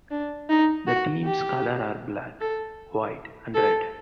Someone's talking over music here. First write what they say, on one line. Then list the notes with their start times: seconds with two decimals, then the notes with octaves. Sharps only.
The team's colors are black, white and red.
0.11 D4
0.50 D#4
0.87 F#4
1.25 G4
2.40 A4
3.54 A4